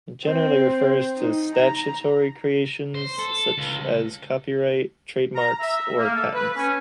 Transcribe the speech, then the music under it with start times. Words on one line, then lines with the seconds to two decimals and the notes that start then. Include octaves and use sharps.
It generally refers to statutory creations such as copyright, trademarks, or patents.
0.24 C4
1.16 D#4
1.54 A#5
2.95 C5
3.19 A4
3.58 C#2
5.36 A#5
5.61 E5
5.97 A#3
6.13 A4
6.34 B4
6.56 C#4